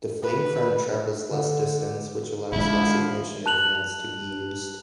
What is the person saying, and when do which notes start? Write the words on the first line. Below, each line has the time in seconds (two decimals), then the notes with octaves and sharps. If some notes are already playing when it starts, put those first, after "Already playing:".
The flame front travels less distance which allows less ignition advance to be used.
0.23 B4
1.31 D3
2.52 D3 D#3 F3 G#3 E4
3.46 A5 F#6 F7 F#7